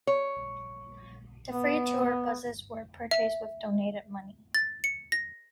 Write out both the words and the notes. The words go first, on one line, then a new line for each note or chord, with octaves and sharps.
The three tour buses were purchased with donated money.
C#5
B3
E5
A6
C#7
A#6